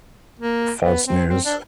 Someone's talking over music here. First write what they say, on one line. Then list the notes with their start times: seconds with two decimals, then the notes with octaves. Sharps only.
false news.
0.40 A#3
0.85 B3
1.07 C4
1.29 C4
1.45 D4